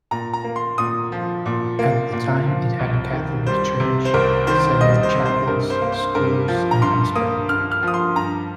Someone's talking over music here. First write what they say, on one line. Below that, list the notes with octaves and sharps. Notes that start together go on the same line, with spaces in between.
At the time it had a Catholic church, several chapels, schools and a hospital.
A#2 A#5
A#5
A#3
C6
A#2 D#6
F3
A#2
A#3
A#2
F3
C2
D#3
G3 C5
C3
C5
C2 A#4
D#3 C5
G3 D#5
C5
C3
C5
G2 A#4
C5
A#3
C5
G2 A#4
F3
A#5
G2 C6
A#3 D#6
G2 F6
F6
F3
D#6
C6
G2 A#5